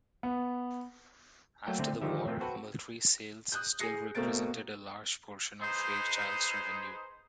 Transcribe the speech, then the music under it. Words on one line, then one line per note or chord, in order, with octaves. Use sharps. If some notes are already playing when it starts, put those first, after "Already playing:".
After the war, military sales still represented a large portion of Fairchild's revenue.
B3
F#3 A3 A#3 G5
D3 A3 C4
D3 D#3 F3 D#4 G4 E5
A3 A#3 C4 F4
C4 F#4 A4 B4
D#6 F#6 G6
G#4 A#6 C7 C#7
B2 A3 A#3 C4 A6 D7
D#4 G#4 B4 C5